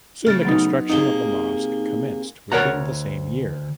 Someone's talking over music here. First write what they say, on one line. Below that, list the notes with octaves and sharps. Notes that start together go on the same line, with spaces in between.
Soon the construction of the mosque commenced within the same year.
C#3 A3 F6 A6 D7
F#3 B3 D#4
C3 A#3 D#4 G#4 G7
D2 A#4 C#5 F#5 A#5